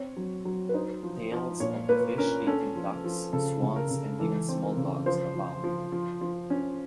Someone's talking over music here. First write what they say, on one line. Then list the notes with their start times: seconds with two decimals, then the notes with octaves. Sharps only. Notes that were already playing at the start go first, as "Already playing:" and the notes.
Tales of the fish eating ducks, swans and even small dogs abound.
Already playing: C4 C#5
0.17 F#3
0.45 F#3
0.69 B4
0.74 D#4 C5
1.03 F3
1.32 F3
1.60 A#2 C#5
1.89 A#3 B4
2.18 C#4 A#4
2.47 C#4 A4
2.75 F3
3.04 F3
3.33 C#3 A4
3.62 C#3
3.76 A#4
3.91 C#3
4.19 E3 A4
4.49 C4
4.63 A#4
4.77 C#3
5.06 F3 C5
5.35 F3
5.64 F3
5.92 F3
6.21 F3
6.50 C#4